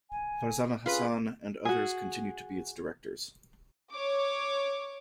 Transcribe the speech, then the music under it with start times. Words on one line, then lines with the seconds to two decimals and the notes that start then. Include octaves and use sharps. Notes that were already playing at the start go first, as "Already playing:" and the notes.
Farzana Hassan and others continue to be its directors.
0.09 G#5
0.86 C#4 F4 G#4 B4 F5
1.65 F#4 G#4
3.92 C#5 D6